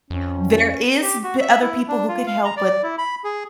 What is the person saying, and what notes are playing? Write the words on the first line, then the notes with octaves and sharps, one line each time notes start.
There is th other people who could help, but
F2 C#4
G4
F#4
E5
E4
D4
F4
F5
A#5
D5
E4
B5
G#4